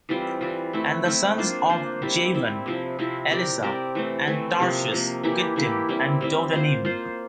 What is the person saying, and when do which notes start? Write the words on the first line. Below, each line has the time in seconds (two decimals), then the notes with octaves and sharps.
And the sons of Javan: Elishah, and Tarshish, Kittim, and Dodanim.
0.09 E3 G3 C4 F4
0.41 E3 G3 C4 F4
0.73 A3 C4 E4
1.05 A3 C4 E4
1.38 A#3 D4 F4 C5
1.70 A#3 D4 F4 C5
2.02 G3 C4 E4
2.34 G3 C4 E4
2.66 C3 F3 C4 E4
2.99 C3 F3 C4 E4
3.31 C4 G4 A#4 D5
3.63 C4 G4 A#4 D5
3.95 E3 A3 C4
4.27 E3 A3 C4
4.60 C3 F3 A#3
4.92 C3 F3 A#3
5.23 E3 A#3 E4 G4
5.56 E3 A#3 E4 G4
5.89 G3 C4 E4
6.21 G3 C4 E4
6.53 A#3 F4 C5
6.85 A#3 F4 C5